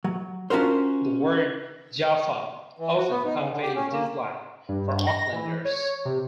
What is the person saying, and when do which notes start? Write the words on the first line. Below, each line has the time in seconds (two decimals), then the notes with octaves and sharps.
The word Jafa often conveys dislike for Aucklanders.
0.04 F#3
0.50 C#4 D4 F4 F#4 A#4 C5
2.79 E3
2.97 F#4
3.11 B3
3.25 D#4
3.37 C#3
3.50 D3
3.62 G4
3.75 C#4
3.92 A#3
4.69 G2
5.07 A#6
5.33 E3
5.65 C#5
6.05 C3